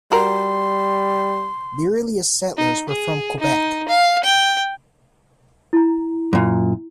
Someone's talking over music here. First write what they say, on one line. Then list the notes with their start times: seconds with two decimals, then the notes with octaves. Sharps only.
The earliest settlers were from Quebec.
0.12 G3 F#4 A#4 C6
2.57 D#4
2.89 G#4
3.40 D#4
3.88 F5
4.23 G5
5.73 E4 A#5
6.33 F#2 A#2